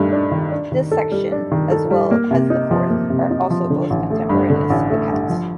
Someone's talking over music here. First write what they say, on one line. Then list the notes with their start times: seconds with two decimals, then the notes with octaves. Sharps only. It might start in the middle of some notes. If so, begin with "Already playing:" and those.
This section, as well as the fourth, are also both contemporaneous accounts.
Already playing: G2 D#3 A3
0.12 D4
0.32 D#3
0.51 D4
0.72 D#3
0.92 A4
1.12 G3
1.32 D4
1.52 D#3
1.71 A4
1.91 G3
2.11 A#3
2.31 C3
2.50 D#4
2.71 F3
2.90 A#3
3.10 C3
3.30 D#4
3.50 F3
3.70 D3
3.90 A1
4.10 A3
4.29 G2
4.50 D3
4.70 A1
4.90 A3
5.10 G2
5.30 F3